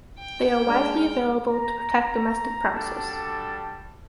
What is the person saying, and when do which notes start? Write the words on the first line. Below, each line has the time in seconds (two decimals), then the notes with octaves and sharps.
They are widely available to protect domestic premises.
0.19 G5
0.67 G#3 D4 F6
1.51 A#5
2.72 G3 D4 F#4 A4